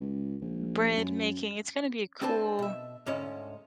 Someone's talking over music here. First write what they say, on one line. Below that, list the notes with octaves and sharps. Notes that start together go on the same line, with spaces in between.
bread making, it's gonna be a cool,
C#2
A#1
F#2
C4 D4 A4 B4 C5 A5
B2 E5
D2 G#2 C#4 E4 C#5 D#5